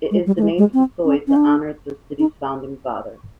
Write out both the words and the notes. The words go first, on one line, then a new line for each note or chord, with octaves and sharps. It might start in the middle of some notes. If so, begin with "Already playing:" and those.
It is named Sysoy to honor the city's founding father.
G#3
G3
A3
G#3
G#3
C4
C#4
C#4
D4
D#4